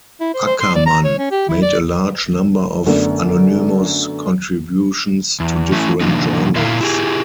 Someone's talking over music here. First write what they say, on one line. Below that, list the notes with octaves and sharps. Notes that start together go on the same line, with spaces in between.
Ackermann made a large number of anonymous contributions to different journals.
E4
C5
C5
C6
D5
A#5
C#5
C#4
G4
E4
D5
F#2 D3 A3 B3 D4
E2
E3 A3 C#4 E4
C3 E3 A#3 D4 D#4
A#2 E4 A#4 E5 F5
E4 G4 G#4